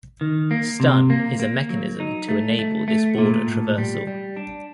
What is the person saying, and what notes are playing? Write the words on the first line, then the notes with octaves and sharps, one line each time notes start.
Stun is a mechanism to enable this border traversal.
D#3
A#3
C3
A#3
A#3
F#3
D#4
A3
A3
A3
A#2
A2
G3
G3
D4